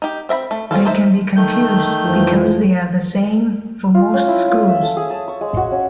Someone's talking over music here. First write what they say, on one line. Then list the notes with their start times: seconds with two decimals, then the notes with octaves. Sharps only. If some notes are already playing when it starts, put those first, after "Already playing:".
They can be confused because they are the same for most screws.
0.02 D#4 G4
0.29 C4 E5 A#5 B5
0.51 A3
0.71 C4 C#4 F4 A4
0.85 D#4 A4 C5 E5
1.36 D#3 A3 G6
2.05 F2 E3 F3
3.95 F4
4.14 C#4
4.28 E4
4.48 F4
4.68 E5
4.82 A4
4.97 G#4
5.10 A5
5.28 C#6
5.41 G#3
5.57 F#4
5.71 C#4